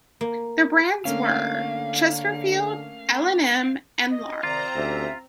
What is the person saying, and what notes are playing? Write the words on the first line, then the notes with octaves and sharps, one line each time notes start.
The brands were: Chesterfield, L and M, and Lark.
A#3
D3 A3 A#3 C#4 F5
D#5
C3 D#3 C4 F4 C5 D5 A#5
D2 C#4 G4 E5